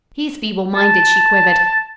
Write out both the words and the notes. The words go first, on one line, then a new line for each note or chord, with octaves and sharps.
"He's feeble-minded," she quivered.
A5